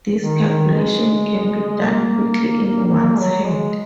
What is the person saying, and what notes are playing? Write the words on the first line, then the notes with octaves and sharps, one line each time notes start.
This calculation can be done quickly in one's head.
D#3
D#3
G#3
A#3
A#3
F#3
G#3